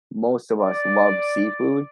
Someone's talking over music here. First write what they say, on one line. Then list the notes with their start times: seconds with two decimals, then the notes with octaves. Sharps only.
most of us love seafood,
0.59 D5